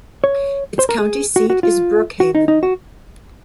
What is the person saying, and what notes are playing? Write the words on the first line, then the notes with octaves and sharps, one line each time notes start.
Its county seat is Brookhaven.
C#5
C5
A#4
G#4
F#4
F#4
F4
F#4
D#4
D#4
F#4